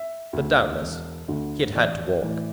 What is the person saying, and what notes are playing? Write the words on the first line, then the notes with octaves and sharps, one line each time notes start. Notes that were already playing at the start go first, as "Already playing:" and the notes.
But, doubtless, he had had to walk.
Already playing: E5
D2 D3
E1
D2 D3
A1 D5
A2 E3